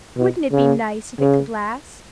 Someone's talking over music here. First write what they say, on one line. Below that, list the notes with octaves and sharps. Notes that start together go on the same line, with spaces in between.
Wouldn't it be nice if it could last?
B2
C#3
C#3